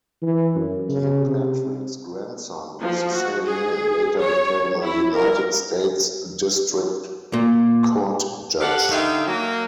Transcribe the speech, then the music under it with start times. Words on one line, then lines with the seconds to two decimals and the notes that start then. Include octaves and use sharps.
Kirpatrick's grandson of the same name later became a United States District Court judge.
0.22 E3
0.55 F#2
0.89 C#3
1.25 C3
2.82 F3
3.13 F#4
3.46 G#4
4.20 C#5
4.84 E4
5.15 A#4
7.33 A#2
8.60 G4 A4 F5 F#5
8.91 D3 D#3 D#4 E5 F5 G5
9.27 F#3 A#3